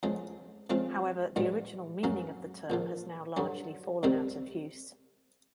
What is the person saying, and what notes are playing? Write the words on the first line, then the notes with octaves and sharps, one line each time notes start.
However the original meaning of the term has now largely fallen out of use.
E2 C#3 F3 G#3
C#3 F3 G#3 C4 F4
A#1 G#2 E3 G3 B3
F#2 C#3 F#3 A#3 C#4
A#1 A#2 F3
G2 D3 F#3
C2 C3 D#3 G3 C4